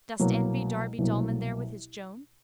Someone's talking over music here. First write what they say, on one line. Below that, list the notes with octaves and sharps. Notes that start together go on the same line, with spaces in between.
Dost envy Darby Dullman there with his Joan?
C2 B2 F#3 A#3
C2 B2 F#3 A#3